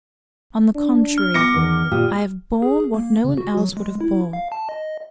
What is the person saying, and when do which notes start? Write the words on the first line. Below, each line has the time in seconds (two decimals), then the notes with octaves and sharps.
On the contrary, I have borne what no one else would have borne.
0.74 D4
1.18 F6
1.34 B3 D6 A#6 C#7
1.54 E2 D#3
1.92 A#2 G4 D#6
2.62 G#4
2.94 A#3
3.24 C#3
3.38 F#4
3.57 F#3
3.77 G#3
4.01 E4
4.33 F5
4.52 A5
4.69 D#5